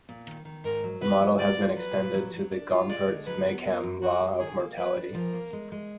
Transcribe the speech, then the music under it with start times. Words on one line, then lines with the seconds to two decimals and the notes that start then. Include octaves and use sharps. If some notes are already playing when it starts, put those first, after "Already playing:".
The model has been extended to the Gompertz-Makeham law of mortality.
0.09 A#2
0.27 D#3
0.45 D#3
0.64 G#2 A#4
0.84 F#3
1.02 B3 B4
1.21 F#3
1.39 B3 D5
1.58 F4
1.76 F#3 B4
1.96 A#2
2.14 F#3
2.34 F#3
2.52 D4
2.71 F4
2.90 G#3 D5
3.08 D3
3.27 F#3 B4
3.46 B3
3.65 F#2 A#4
3.83 F#2
4.02 F#2 F#4
4.21 G#3
4.40 D#3 G#4
4.59 A#3
4.77 F#3 B4
4.96 D4
5.15 F3 A#4
5.33 A#3
5.53 G#3
5.72 G#3